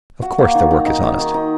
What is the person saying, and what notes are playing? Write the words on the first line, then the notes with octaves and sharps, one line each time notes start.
Of course, their work is honest!
F#4
A#3
D#3
D#4
D#4
D#3
D#3
D#4